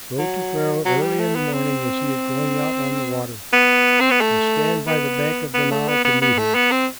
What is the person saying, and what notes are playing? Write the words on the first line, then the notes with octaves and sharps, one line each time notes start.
Go to Pharaoh early in the morning, as he is going out on the water, and stand by the bank of the Nile to meet him.
F#3
F#3
G3
A3
B3
C4
B3
C4
B3
A3
B3
B3
A3
B3
B3
B3
A3
B3
C4